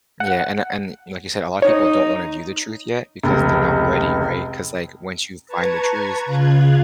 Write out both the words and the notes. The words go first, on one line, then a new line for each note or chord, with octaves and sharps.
Yeah, and and like you said, a lot of people don't wanna view the truth yet because they're not ready, right? 'Cause, like, once you find the truth,
F#5
D#4 C#5
F1 C#2
B4 A5 A#5 C#6 G#6
C#3 F4 F5 F#6 G#6